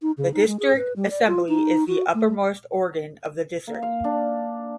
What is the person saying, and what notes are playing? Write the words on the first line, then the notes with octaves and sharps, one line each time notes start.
The district assembly is the uppermost organ of the distric.
D#4
C#3
D#4
G#3
G#4
B4
G3
D5
F4
D#4
F#4
A3
A#3
F5
D4